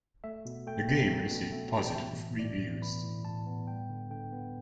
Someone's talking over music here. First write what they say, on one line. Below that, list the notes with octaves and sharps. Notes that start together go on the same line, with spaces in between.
The game received positive reviews.
A3 E5
B2
A3 G5
B2
A3
B2
A3
B2
A5
G5
E3 E5
A2
A2 D5
B3
E3 B5
A2
A2 A5
B3
G3 G5
D3
D3 G5
B3